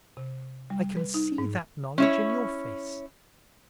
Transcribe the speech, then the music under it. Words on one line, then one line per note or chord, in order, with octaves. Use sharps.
I can see that knowledge in your face.
C3
G3
B4
D#4
G#2
C#4 E4 C#5